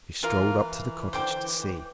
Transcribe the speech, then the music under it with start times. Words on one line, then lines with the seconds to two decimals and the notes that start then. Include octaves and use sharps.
He strolled up to the cottage to see.
0.22 E3 F4 A#4 F5
1.13 D3 C5 G5 D6
1.28 E3
1.43 E3
1.58 E3